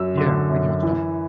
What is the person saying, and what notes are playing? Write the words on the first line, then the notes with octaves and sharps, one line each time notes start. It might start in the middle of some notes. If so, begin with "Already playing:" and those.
Yeah, I gotcha.
Already playing: F#2 F#3 E6
D3
F#2
E3